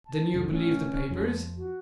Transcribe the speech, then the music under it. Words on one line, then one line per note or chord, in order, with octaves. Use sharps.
"Then you believe the papers?"
A5
C2 F2 D3
A2 C#4
F2 F3
F#4